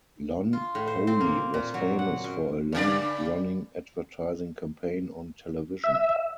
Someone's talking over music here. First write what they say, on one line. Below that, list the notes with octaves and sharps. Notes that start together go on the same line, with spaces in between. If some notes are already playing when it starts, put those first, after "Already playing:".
Lunn Poly was famous for a long running advertising campaign on television.
F4
A2
C5
C4
A#3
A#2
F#3
F#5
F#2
G2 C#3 D5
E5